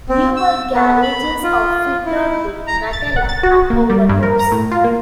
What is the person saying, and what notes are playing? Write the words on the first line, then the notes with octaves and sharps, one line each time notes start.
Newer garages are fitted with metal up-and-over doors.
C4
E6
B3
B5
F4
E4
A#5
A6
F#5
A6
F#4
A#3
G3
G2
A#4
A#5
A2
F4
A#3